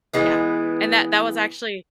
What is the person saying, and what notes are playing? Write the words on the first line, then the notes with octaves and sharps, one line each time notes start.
Yeah, and that that was actually
E3 G#3 B3